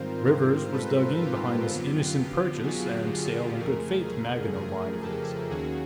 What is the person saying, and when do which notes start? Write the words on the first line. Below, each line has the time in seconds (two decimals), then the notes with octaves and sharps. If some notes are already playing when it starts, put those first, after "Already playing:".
Rivers was dug in behind this innocent-purchase-and-sale-in-good-faith Maginot Line of his.
Already playing: G#2 D#3 G3 C4 F4 A#4 C5
0.25 A#4 C5
0.73 A4 B4
1.20 F4 G4
1.69 F#2 D3 F#3 B3
2.63 F#4 G#4
3.11 F#4 G#4
3.59 F2 C#3 F3 A3 G#4 A#4
4.07 G#4 A#4
4.53 G#4 A#4
5.01 G4 A4
5.49 D#2 D#3 F#3 A#3 C#4 F#4 G#4